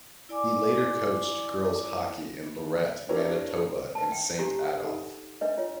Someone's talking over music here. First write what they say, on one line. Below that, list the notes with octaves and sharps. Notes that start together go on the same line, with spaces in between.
He later coached girls' hockey in Lorette, Manitoba and Saint Adolphe.
E4 D5 G#5 D6
D4 E4 G4 A#4 C#5
B4 A5
G5
D4 G4 A#5
D#4 A4 F#5
D4 B4 D#5
F4 C#5